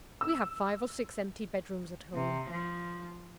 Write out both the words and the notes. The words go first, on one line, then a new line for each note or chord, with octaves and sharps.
We have five or six empty bed-rooms at home.'
E6
C3
F3